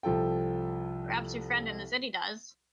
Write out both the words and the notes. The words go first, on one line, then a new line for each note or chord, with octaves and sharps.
Perhaps your friend in the city does.
C2 F3 A4 G5